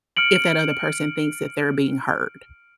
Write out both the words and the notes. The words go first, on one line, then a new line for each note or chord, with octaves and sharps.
if that other person thinks that they're being heard.
F6 C#7 D7 F#7